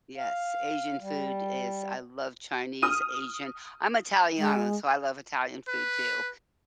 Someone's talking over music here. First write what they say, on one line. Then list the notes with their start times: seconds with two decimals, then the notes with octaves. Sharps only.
Yes, Asian food is I love Chinese, Asian I'm Italiano, so I love Italian food too,
0.18 F5
1.01 G3
2.82 D#6 F6 D#7
4.38 G#3
5.68 B4